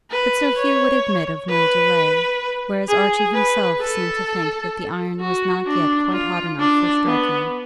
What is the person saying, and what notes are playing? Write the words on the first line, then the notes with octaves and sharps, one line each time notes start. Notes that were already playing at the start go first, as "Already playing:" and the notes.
But Sir Hugh would admit of no delay, whereas Archie himself seemed to think that the iron was not yet quite hot enough for striking.
B4
C#5
B4
G#4
B4
A4
F#4
D4
F4
D4
B3